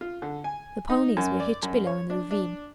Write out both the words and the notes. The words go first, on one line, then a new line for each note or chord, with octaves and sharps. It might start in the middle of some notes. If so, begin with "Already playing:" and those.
The ponies were hitched below in the ravine.
F4
D3
G#5
D#4
F#2
D5
F#2
C#5
D4
D4